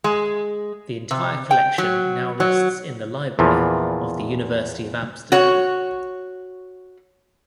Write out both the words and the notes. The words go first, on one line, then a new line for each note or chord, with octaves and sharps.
The entire collection now rests in the library of the University of Amsterdam.
G#3
C3
G5
F#3
F#3
E2 A#2 E3 F3
F#4 C#5